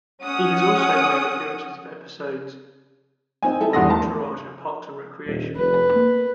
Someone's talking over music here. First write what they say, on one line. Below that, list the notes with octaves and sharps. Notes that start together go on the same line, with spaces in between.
He has also made appearances of episodes of "Entourage" and "Parks and Recreation".
C#4 F#5 D#6
C4 D#4 G#5
D#4 E4 A4
E2 G2 F#5 C6 D#6 A#6
A3 A#4 A5
D#1
F1 B4
A#3